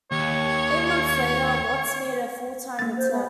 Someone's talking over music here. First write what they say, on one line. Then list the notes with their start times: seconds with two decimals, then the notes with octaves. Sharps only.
Eight months later Watts made a full-time return.
0.12 D#2 C#5
2.79 A#3 A6
2.97 C5
3.11 B3